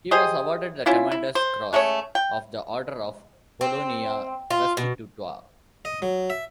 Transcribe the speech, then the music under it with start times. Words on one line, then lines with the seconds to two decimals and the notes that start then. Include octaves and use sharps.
He was awarded the Commander's Cross of the Order of Polonia Restituta.
0.11 G4 G#4 C5 D#5
0.86 C#4 E4 F4
1.11 E4
1.35 C5
1.73 G#3 A3 C#4 C#5
2.15 G5
3.61 C4
4.50 F4
4.77 B2
5.85 D#5
6.02 F#3
6.30 E5